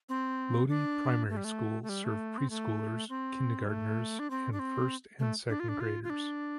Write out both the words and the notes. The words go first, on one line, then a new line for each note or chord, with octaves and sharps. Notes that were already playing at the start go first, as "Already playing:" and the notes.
Lodi Primary School served preschoolers, kindergarteners, and first and second graders.
C4
D4
A3
G3
A3
A3
G3
A3
C4
A3
C4
G3
A3
D4
C4
D4
C4
A3
D4
F4
D4
F4
F4
D4